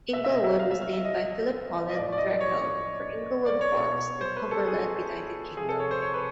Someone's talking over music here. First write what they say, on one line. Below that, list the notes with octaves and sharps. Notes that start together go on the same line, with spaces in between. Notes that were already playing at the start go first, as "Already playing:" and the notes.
Inglewood was named by Philip Colin Threkeld for Inglewood Forest in Cumberland, United Kingdom.
B2 E5
E5
D#5
E5
F5
E5
F5
E5
D#5
D#5
A2 F3 D5
D5
D#5
C#5
D5
C#5
B2
C5
B4
A4
G#4
C3 F3 G#4
A4
C#5
C5
C#5
B4